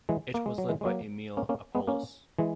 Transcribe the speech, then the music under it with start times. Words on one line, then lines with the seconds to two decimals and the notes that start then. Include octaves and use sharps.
It was led by Emil Appolus.
0.09 E3 G#3
0.34 A#3
0.46 G#3
0.58 F#3
0.69 E3 G#3
0.81 G#3
0.85 F#3 A#3
1.37 A#3 C#4
1.49 A#3 C#4
1.75 G#3 B3
1.87 A#3 C#4
2.39 E3 G#3